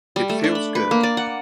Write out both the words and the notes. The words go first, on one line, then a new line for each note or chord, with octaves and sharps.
It feels good.
G3
A3
D4
B5
B4
A#3
D5
F#5